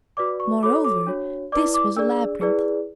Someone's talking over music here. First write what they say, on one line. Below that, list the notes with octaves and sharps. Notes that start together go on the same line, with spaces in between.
Moreover, this was a labyrinth.
F#4 B4 D5 D6
C#6
F#4 A4 C#5 D6
D6
D4 F#4 C#5
E4 B4 D5 D6
D6
D4 G#4 D5 E6
E4 G#4 B4 D5